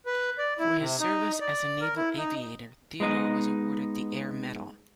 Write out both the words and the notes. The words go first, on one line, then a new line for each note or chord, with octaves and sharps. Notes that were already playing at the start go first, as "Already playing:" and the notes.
For his service as a naval aviator, Theodore was awarded the Air Medal.
B4
D5
E4
C3
D#4
D5
A#4
E4
D#4
G#3 B3 D#4 D#5